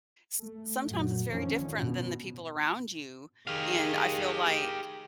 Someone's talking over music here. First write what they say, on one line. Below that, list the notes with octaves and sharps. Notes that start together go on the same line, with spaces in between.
s sometimes it's very different than the people around you, and I feel like
A3
F#2 A#2 F#3
F2 D3 D#3 F3 C#4
G2 B2
D#3 G4 G#4 F5